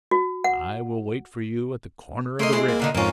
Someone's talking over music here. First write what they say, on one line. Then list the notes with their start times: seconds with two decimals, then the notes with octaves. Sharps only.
I will wait for you at the corner of the bridge.
0.11 F#4
0.44 F#5
2.39 A3 A#3 D#5 C6 C7
2.52 G#3 C4 E4
2.68 A#3
2.79 A#2 D3 D#4
2.95 F2 G#2 A#3 C#4 F4